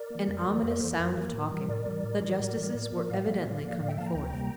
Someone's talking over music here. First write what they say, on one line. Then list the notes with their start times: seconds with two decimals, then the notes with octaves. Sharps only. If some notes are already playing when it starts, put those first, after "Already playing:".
An ominous sound of talking; the justices were evidently coming forth.
Already playing: A#4 D5
0.10 E3 A#3
0.28 F2
0.46 E3 A#3
0.63 F2 C5 E5
0.72 A#4 D5
0.80 E3 A#3 A4 C5
0.89 A#4
0.99 F2
1.16 E3 A#3
1.34 A2
1.52 E3 G3
1.68 A2 A#4 D5
1.86 E3 G3
2.04 A2
2.22 E3 G3
2.40 A2
2.56 E3 G3
2.74 A2
2.92 F3 A#3
3.09 A2 D5 F5
3.27 F3 A#3
3.45 A2
3.63 F3 A#3
3.80 A2 D5 F5
3.88 E5 G5
3.97 F3 A#3 F5 A5
4.06 G5 A#5
4.15 D2
4.33 C3 G3 A#3